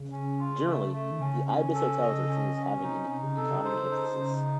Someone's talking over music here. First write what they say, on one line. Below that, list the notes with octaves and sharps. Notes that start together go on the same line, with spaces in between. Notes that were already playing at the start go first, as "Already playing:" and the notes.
Generally, the Ibis hotels are seen as having an economy emphasis.
Already playing: C#3
C#4
F4
A3
A3
D#3
C#3 C#4
C#4
A4
D#5
C#4
C#4
A#2
C3 D#4
D#4
C#3
C3 A4
C#3
C5
D#4
D#4